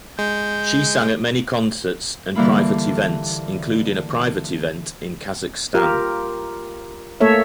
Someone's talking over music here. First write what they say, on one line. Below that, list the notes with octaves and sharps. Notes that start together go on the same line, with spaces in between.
She sang at many concerts and private events, including a private event in Kazakhstan.
G#3 G6
D3 E3 G3 A#3 E4 B5
F4 G4 A#4
A3 A#3 A4 C#5 E5